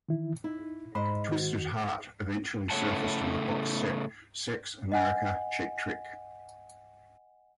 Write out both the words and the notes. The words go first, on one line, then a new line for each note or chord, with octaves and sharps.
"Twisted Heart" eventually surfaced on the box set "Sex, America, Cheap Trick".
D#3 E3 E4
D#4 E4
G#2 C5 D#5 B5
D#3 F#4
A2 C#3 A3 C#5 F#5 A5
D#5 F#5 G#5